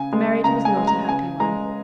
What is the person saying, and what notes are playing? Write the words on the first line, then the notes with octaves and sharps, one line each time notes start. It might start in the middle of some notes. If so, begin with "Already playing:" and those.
The marriage was not a happy one.
Already playing: C#3 G#5
G#3
C#3 A#5
G#5
G#3
A#5
C#3 G#5
G#3 A#5